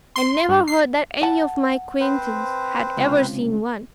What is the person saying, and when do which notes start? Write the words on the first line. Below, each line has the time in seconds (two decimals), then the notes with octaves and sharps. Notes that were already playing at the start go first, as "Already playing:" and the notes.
I never heard that any of my acquaintance had ever seen one.
0.16 C6
0.49 G2
0.68 C7
1.23 F#5 A5
2.00 C4 B4 C5
2.97 C#2 C3